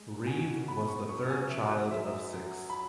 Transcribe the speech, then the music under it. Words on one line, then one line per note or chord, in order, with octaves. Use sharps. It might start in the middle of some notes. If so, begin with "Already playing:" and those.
Reeve was the third child of six.
Already playing: G#3
B2 G#5
B3 B5
C#6
F#3 C#6
G#5
F#3 E5
F#2 E5
F#3
B5